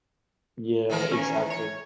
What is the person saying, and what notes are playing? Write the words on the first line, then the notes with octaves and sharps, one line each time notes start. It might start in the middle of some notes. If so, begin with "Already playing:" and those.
Yeah, exactly.
D#3 E3 A#4
C#4
C#5